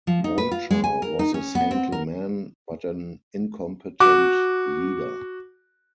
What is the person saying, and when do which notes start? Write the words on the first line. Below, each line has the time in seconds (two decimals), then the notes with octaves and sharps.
Walcher was a saintly man but an incompetent leader.
0.07 F3
0.24 D#4
0.38 B4
0.51 F4
0.71 G#3
0.84 G#5
1.02 A#4
1.19 D#4
1.34 C#4
1.55 B3
1.71 C4
1.92 A#4
4.00 F#4 D6